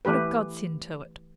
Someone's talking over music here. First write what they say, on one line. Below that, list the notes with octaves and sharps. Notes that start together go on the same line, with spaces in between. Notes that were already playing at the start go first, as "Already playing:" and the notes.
What a godsend to it!
E3 A3 G4 B4